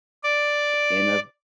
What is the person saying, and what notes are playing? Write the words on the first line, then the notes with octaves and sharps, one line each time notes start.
in a
D5